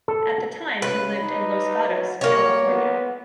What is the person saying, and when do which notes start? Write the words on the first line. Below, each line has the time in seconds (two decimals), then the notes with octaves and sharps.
At the time he lived in Los Gatos, California.
0.08 A4
0.82 C#3 B4
1.22 D#4
1.89 F#3
2.21 G2 A#3 C#5
2.64 B3